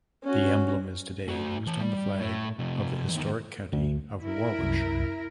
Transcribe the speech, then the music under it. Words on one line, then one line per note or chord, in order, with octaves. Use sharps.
The emblem is today used on the flag of the historic county of Warwickshire.
C#4 F#4
A3 F#4
E3 A5
G3
A2
C3 F3
E2 D#3
D2
E4 A#4
C2 F#2